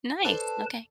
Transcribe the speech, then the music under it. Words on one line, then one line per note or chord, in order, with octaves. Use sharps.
Nice, okay.
A4 B4 C5 D5 A5